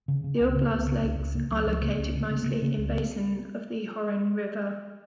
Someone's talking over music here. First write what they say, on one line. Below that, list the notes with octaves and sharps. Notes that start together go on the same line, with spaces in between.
The oblast's lakes are located mostly in basin of the Horyn River.
C#3
C#3
C#2
C#3
C#2 B3
C#3
C#4
C#2
C#2
C#3 A#3
C#2 F#3
C#2 F3
C#3 A#3
C#2 C#4
C#3 B3
C#3
C#3 A#3
C#3 A#3
C#2 C#4
C#3 B3